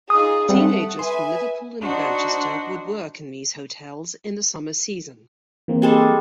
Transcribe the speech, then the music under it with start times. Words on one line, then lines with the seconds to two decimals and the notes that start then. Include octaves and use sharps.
Teenagers from Liverpool and Manchester would work in these hotels in the summer season.
0.10 D#4 F4 G#4 D#6
0.49 G3 A3 C4 F#5
0.99 B4 E5 G#5 C6
1.80 D4 D#4 F#4 C5
5.68 E3 A#3 C4
5.82 G3 G#3 A4